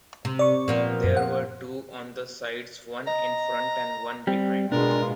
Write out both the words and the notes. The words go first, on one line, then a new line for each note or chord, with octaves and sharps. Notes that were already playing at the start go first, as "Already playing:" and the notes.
There were two on the sides, one in front and one behind.
C3
D5 C#6
A#2 F3 B3
F#2
F#5
D#5 A#5
G3 C4 G5
B2 G#3 D4 F4 A#4